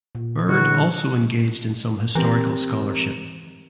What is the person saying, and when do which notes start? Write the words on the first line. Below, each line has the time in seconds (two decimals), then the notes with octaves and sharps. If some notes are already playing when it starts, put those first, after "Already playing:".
Bird also engaged in some historical scholarship.
0.15 A#2
0.48 C#2 D3 E3 G3 F#4
2.15 E3 C4 G4 A#4